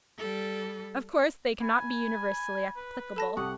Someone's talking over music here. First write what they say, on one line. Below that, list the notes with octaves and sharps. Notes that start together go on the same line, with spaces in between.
Of course, they cannot be universally applicable.
G3 A4
G#5 B5
B4
A4 A5 B5 A#6
C2 G4 F#5 C#6 D#6